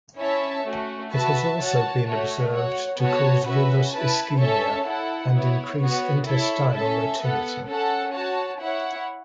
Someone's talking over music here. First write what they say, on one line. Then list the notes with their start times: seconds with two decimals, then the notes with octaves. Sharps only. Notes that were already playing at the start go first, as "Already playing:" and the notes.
It has also been observed to cause villus ischemia, and increase intestinal motility.
0.17 C#4 E4 C#5 E5 A5
0.64 A3 C#4 F#4
1.11 F#4 B4 E5 A5
1.58 F#4 C#5 A5
2.05 A3 F#4 C#5
2.51 F#4 C#5 F#5
2.98 B3 F#4 C#5 A5
3.45 C#4 F#4 B4 E5
3.92 E4 B4 A5
4.39 C#4 A4 C#5 E5 A5
4.85 E4 A4 F#5
5.32 B3 E4 C#5
5.79 B3 F#4 C#5
6.26 E4 A4 C#5 E5
6.73 C#4 A4 E5 A5
7.20 B3 A4 F#5
7.67 C#4 A4 F#5 A5
8.13 F#4 C#5 A5
8.60 E4 C#5 F#5